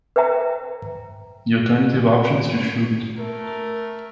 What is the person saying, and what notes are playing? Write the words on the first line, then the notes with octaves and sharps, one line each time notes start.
The alternative option is to shoot.
B4 C5 E5 G5 A#5
A3 A#4